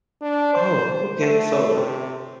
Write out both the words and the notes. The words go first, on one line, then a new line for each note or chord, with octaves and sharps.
oh, okay, so it
D4
C5
A3
C3